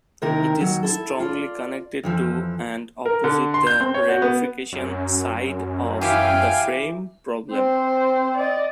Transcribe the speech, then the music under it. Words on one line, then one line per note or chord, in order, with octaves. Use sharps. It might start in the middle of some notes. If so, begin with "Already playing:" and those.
It is strongly connected to, and opposite the ramification side of, the frame problem.
D#2 C3 D#3 E4 A#4
D#2 F#3
E4 A4
F4 D5
F2 E3 F3
A#4
D3
C6
G6
C4
C#5
F#4
B3
F#2
E3 G4 F5 G5 G#5
C4 C5
D5 D#5